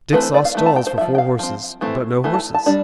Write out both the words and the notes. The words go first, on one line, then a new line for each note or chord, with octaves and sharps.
Dick saw stalls for four horses, but no horses.
E3 A3 C4 B4
C5
D5
F5
E3 A3 C4
A5
G5
C5
C4 E5
F3
G5
F5
F3 C4
E3 A3 C4
E3 A3
A5
A5
G3 D4